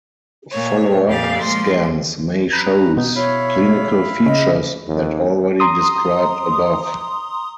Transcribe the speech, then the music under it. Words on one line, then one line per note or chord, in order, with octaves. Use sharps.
Follow up scans may shows clinical features that already described above.
A#2 C#5
F2 A#2 G4 D5 F5
F3 G#3 A#3 C6
B4 A#5
B2 D#4
E4 C#5 F5 B5
C#3 D#5
D#2
A#5 C6 D#6